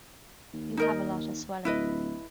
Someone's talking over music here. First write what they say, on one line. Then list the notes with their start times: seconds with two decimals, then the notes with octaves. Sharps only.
You have a lot of swelling.
0.53 D#2
0.77 D#4 A#4 D#5
1.65 D1 E4 B4 D#5